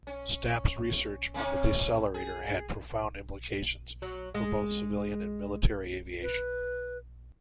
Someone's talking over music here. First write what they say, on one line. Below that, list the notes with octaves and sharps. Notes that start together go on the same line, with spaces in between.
Stapp's research on the decelerator had profound implications for both civilian and military aviation.
C#4
C3 A#3 C#4
G#4
F#3
G#3
B4